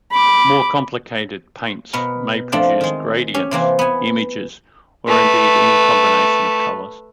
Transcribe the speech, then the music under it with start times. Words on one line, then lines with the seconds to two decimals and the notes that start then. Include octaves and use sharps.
More complicated paints may produce gradients, images, or indeed any combination of colors.
0.12 B5 D6
1.93 B2 B3 A#4
2.52 F3 A3 C4 D4 F4
2.81 D#3 G#3
3.34 C#4 G4
3.51 C3 E3 A#3 C4
3.79 B3 G#5
5.08 A3 B4